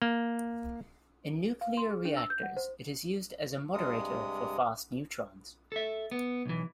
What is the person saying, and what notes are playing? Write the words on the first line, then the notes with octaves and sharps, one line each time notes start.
In nuclear reactors, it is used as a moderator for fast neutrons.
A#3
F5
C6
G#4
D4
E6
G6
F#5
C5
G2 C3 G#3 D#6
A4 E5
B3
B1 E3